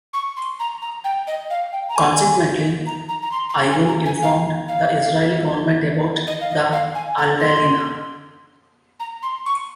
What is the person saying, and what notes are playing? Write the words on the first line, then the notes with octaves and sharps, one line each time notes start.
Consequently, Irgun informed the Israeli government about the "Altalena".
C#6
C6
A#5
A#5
G5
D#5
F5
G5
A#5
G#5
A#5
A#5
A#5
C6
C6
A#5
G#5
A#5
G#5
F5
F5
D#5
F5
D#5
F5
G#5
A#5
C6
A#5
C6
C#6